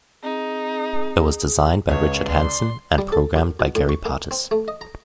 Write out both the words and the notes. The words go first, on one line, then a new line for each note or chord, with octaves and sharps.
It was designed by Richard Hanson and programmed by Gary Partis.
C4 D#4 G#4
C#2 B4 C#5
D5 C6
G3
A4
F#2
B2
A2
C#6
A#3
C4
A3
D#5
A#5